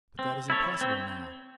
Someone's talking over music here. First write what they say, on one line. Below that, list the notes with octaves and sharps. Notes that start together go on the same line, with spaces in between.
But that is impossible now!
C4
E4 A4 C#5
C4